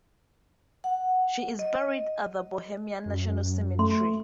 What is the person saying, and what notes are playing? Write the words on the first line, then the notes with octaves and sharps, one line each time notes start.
She is buried at the Bohemian National Cemetery.
F#5
D#5
F#2
A3 C6